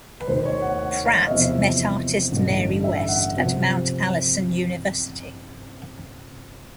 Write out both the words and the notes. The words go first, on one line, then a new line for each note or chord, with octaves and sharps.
Pratt met artist Mary West, at Mount Allison University.
B4
D#2 D#3 C5
C#5
F#5
F#5
F5
D#5
E2 C3 F3 E5
A1 G2 D3
E5
F#5
C3 F3